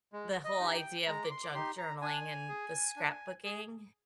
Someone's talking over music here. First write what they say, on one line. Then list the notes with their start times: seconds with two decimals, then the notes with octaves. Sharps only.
the whole idea of the junk-journaling and the scrapbooking.
0.13 G#3
0.44 D#5
0.60 D#4 G4
0.76 G5
1.07 G#3 A#5
1.23 D6
1.31 C6
1.43 D6
1.54 D#4 G4 C6
1.78 A#5
2.01 D4 G#5
2.49 G#4
2.96 D4
3.44 G#4